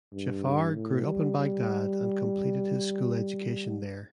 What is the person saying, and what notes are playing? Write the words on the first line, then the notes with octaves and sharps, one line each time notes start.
Jafar grew up in Baghdad and completed his school education there.
G2
A2
G3
G3